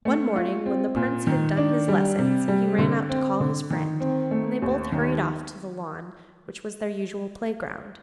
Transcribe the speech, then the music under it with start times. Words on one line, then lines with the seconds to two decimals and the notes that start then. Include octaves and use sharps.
One morning, when the prince had done his lessons, he ran out to call his friend, and they both hurried off to the lawn which was their usual playground.
0.05 A3
0.36 F4
0.66 C4
0.96 A#2
1.27 D#3
1.57 D4
1.88 G3
2.19 C3
2.48 G3
2.78 D3
3.09 C4
3.40 D3
3.71 D#3
4.00 C4
4.31 A3
4.62 D#2
4.92 D#3